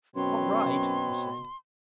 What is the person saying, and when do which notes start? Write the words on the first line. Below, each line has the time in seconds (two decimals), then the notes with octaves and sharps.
"All right," he said.
0.16 F#2 B2 C4 B4 C#5 C6